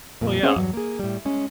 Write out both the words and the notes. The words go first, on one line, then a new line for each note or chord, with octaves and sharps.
Well, yeah.
F2 A#2
C4 C#4 G#4 C5 C#5 F#5
E2 G2 F#3
A#3 G#4
A2 G3
G#3 C#4